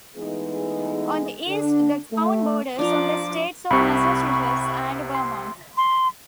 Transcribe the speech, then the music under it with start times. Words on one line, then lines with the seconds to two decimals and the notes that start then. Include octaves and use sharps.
On the east the town borders on the states of Massachusetts and Vermont.
0.16 E3 G#3 A3 B3 D#4 G#4
1.47 D3 D4
2.12 A3
2.79 F3 D4 F4 A#5 D6
3.71 C2 C3 B5 C#6
5.15 C6
5.77 C6